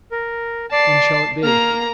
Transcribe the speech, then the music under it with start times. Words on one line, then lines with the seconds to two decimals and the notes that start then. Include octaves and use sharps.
"When shall it be?"
0.11 A#4
0.72 D5 A5 C7
1.43 A#3 A#5 F6